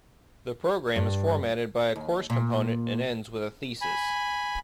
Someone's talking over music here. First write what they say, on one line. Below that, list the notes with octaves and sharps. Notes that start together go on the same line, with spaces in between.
The program is formatted by a course component and ends with a thesis.
G2
D#2
A#2
G#5 B5